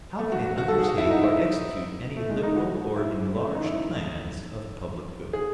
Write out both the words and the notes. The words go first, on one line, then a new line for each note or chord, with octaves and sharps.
How can it undertake or execute any liberal or enlarged plans of public good?
A3
F#4
F#4
F#4
A4
G#4
F#4
E4
D#4
E4
A3
G#3
D#4
F#4
E4
A3
C#4
D#4
E4
G#4